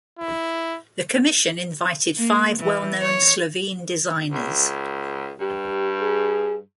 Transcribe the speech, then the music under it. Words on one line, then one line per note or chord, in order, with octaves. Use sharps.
The commission invited five well-known Slovene designers.
E4
A#3
E3
C#5
C#2
G2 G4
G#4